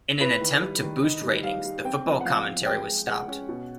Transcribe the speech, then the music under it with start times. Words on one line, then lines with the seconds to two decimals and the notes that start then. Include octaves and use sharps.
In an attempt to boost ratings, the football commentary was stopped.
0.20 E4 B4
0.41 D#3
0.62 G3
0.82 D#3
1.03 D#4
1.23 G3
1.43 G3 F5
1.65 G3
1.85 C4 G5
2.06 F3
2.21 F#5
2.25 F3 F5
2.45 C4
2.66 G#3 G5
2.87 G#3
3.07 G#3 F#5
3.28 C#4
3.49 B2